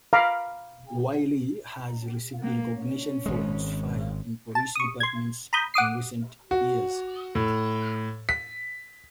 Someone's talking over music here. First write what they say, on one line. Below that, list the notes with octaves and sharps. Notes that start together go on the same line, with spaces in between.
Wylie has received recognition for its Fire and police Departments in recent years.
F5 A#5 B5 D6
A#3
C#4
G#1 G#3
A5
C#6 D#6
C6 G#6
A#5 B5 D#6 G6
F#5 D6 D#6 C7
F#4
A2
B6